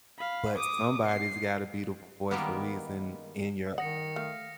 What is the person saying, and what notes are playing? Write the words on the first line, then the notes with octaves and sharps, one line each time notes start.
but somebody's gotta be the voice of reason in your
F5 B5
D6 D#6
C7
D#3 G3 G#3 A#3 B3
D#3 F#5 D#6 A#6 C#7
A3 F5